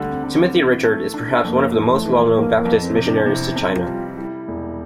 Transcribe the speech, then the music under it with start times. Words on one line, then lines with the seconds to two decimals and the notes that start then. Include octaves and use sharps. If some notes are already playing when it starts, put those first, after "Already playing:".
Timothy Richard is perhaps one of the most well-known Baptist missionaries to China.
Already playing: D2 D3 G3
0.08 C4
0.24 D3
0.54 E3
0.84 A3
1.14 D4
1.44 F2 A#3
1.74 E3
1.91 A3
2.06 E3
2.35 F2 A#3
2.58 A#3
2.65 F2
2.80 C4
2.96 C3
3.04 D4
3.26 C3 E4
3.56 C3
3.72 F4
3.87 G3
4.17 G3 E4
4.48 E1